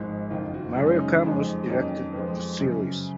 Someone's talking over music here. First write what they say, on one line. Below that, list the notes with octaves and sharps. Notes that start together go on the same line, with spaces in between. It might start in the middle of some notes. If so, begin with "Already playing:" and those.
Mario Camus directed the series.
Already playing: G#1 G#2 F3 G#3
F#1 F2 D#3 F4
F#4
F#2 C#3 G#3 D#4
C#4
D#4
F2 F3 G#3
F2 D#3 F#3 A#3 C#4
F2 F3 G#3 B3
F#2 C#3 F#3